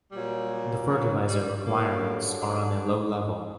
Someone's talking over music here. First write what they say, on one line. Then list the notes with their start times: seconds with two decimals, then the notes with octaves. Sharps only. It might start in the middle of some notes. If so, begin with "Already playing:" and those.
The fertilizer requirements are on a low level.
0.12 A#2 F#3 G3
0.89 F#3
1.26 G3
1.65 G2 D3 F#3 A#3
2.41 D4